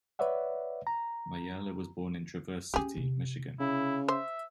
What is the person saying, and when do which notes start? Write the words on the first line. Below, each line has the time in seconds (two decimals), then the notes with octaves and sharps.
Majerle was born in Traverse City, Michigan.
0.19 B4 C#5 D5 E5 F#5
0.87 A#5
2.74 A#3 C#4 G4 G#4
2.97 C3
3.60 C#3 E4
4.08 C5 E5